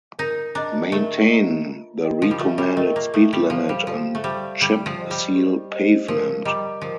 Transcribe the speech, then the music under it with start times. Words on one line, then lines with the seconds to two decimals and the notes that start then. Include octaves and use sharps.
Maintain the recommended speed limit on chip seal pavement.
0.19 D#4 A#4
0.55 D4 D#5 A#5
0.92 A3 A#4
1.30 D#5 A#5
1.66 F4
2.03 A#4 D#5 G5
2.22 F3
2.31 G3
2.39 A3 F4
2.58 G3
2.77 A3 A#4 D#5 G5
2.96 A#3
3.14 A3 A4
3.33 G3
3.50 F3 C5 F5
3.69 G3
3.87 F3 A4
4.15 A3
4.24 G3 C5 F5
4.61 G3 G4
4.86 F3
4.98 C5 D#5
5.11 G3
5.35 G4
5.71 C5 D#5
6.08 F3 A#4
6.45 G3 D#5 A#5 D6
6.81 F3 A#4